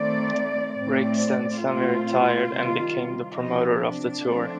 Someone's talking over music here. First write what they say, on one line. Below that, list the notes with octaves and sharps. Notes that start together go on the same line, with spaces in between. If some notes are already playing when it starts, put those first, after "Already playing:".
Riggs then semi-retired and became the promoter of the tour.
Already playing: D#3 A3 C4 D5
A2 A3 C4 D5
A#2 A3 C4 F4
C3 D#3 G3
C3 F3 C4 D#4
D4
D3 F3 A3 C4